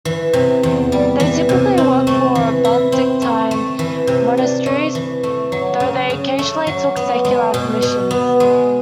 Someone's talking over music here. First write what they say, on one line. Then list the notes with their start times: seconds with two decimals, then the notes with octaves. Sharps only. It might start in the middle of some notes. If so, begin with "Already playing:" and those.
They typically worked for Benedictine monasteries, though they occasionally took secular commissions.
0.05 E3
0.33 C3
0.63 E2
0.92 G3
1.20 E3
1.49 C3
1.78 C4
2.07 A3
2.35 E3
2.65 E4
2.92 C4
3.22 A3
3.51 A3
3.79 E3
4.07 C3
4.37 D4
4.66 A3
4.95 E3
5.23 A3
5.52 F#3
5.80 C#3
6.10 C#3
6.39 A3
6.67 F#3
6.96 B3
7.25 G#3
7.54 B2
7.82 B2
8.11 B3
8.40 G#3